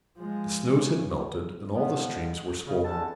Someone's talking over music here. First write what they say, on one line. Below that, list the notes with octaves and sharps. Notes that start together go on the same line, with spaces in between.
The snows had melted, and all the streams were swollen.
F3 G#3
C#3
F2 F3 G3 G#3 B3
C#3
E2 D3 C#4 A4 A5